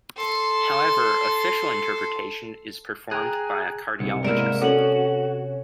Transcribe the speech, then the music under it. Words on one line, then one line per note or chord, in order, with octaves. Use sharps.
However, "official" interpretation is performed by a cardiologist.
A4 C6
G#4 G5 A#5 F#6
C2 C3 C#7
G#2 A#3 E4 A#4 D5 E7
C#4 F#4 A4 F#7